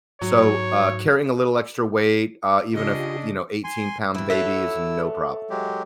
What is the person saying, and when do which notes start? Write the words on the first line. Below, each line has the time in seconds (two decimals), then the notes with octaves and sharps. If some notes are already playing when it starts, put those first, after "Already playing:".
So, uh, carrying a little extra weight, uh, even if, you know, eighteen-pound baby is no problem.
0.21 G#2 F#3 C#5
2.74 C#3 D4 F4 G4 D#5
3.64 G#5 C6
4.14 D2 G2 E4 E6
4.30 F#4 A4 C#5 E5
5.50 F#3 G#3 G4